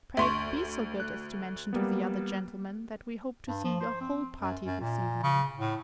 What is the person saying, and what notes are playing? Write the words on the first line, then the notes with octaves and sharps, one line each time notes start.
Pray be so good as to mention to the other gentlemen that we hope to see your whole party this evening.
D2 E5 C6 C#6
F#6
G3 A#3 B3
G2
F3
C5
C4
F#2
F#2
A#2
C#3
A2